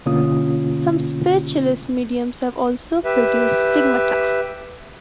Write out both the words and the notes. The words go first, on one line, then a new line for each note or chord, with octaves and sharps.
Some spiritualist mediums have also produced stigmata.
B2 D3 A#3 C#4 F4 D#6
G4 B4 E5